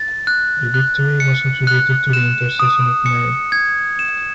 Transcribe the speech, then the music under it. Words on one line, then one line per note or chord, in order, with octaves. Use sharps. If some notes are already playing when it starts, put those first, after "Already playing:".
The victory was attributed to the intercession of Mary.
Already playing: A6
F#6
F#6
C#7
F#6
E7
D#6
C#7
G#6
E7